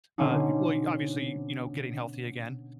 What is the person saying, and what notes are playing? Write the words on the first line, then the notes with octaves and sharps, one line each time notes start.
uh, y well, obviously, you know, getting healthy again.
B2 D3 C4 C#4 D#4